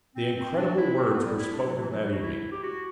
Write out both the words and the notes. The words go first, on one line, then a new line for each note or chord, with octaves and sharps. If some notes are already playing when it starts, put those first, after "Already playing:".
The incredible words were spoken that evening.
C4
C4
D4
E4
C4
B3
G3
E4
D4
F#3
E3
F#3
G3
F#4
E4
G4
F#4